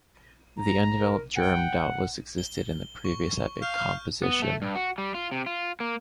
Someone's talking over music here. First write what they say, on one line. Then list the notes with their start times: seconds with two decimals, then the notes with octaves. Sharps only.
The undeveloped germ doubtless existed in the previous epic composition.
0.58 A#5
1.00 A#4
1.36 F#5 G5
2.38 G7
3.05 C#6
3.62 F5 F6 G6
4.23 B3
4.42 A3
4.62 G2
4.75 F#4
4.98 G3
5.14 F4
5.32 C3
5.46 F4
5.80 A#3